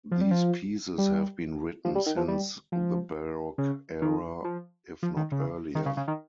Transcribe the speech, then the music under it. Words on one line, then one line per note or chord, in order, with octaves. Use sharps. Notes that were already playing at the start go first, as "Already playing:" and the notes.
These pieces have been written since the Baroque era if not earlier.
F3
G3
F3
G3
F3
G3
D#3
F3
G3
F3
C#3
D#3
F3
F3
D#3
C#3
D#3
C#3
C#3
D#3